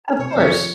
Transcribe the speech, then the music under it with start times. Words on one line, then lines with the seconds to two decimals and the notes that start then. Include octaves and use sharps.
Of course.
0.18 C3 C#5
0.29 C5
0.35 F2 C#5
0.52 F3